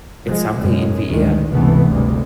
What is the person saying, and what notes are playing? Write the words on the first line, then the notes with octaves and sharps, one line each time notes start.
It's something in the air.
F3 G#3
F#1 F#2 B2 G#3
D2 G2 D#3 G#3
G1 C#2 C3 E3 A3 B3
G1 D2 G2 C3 G3 G#3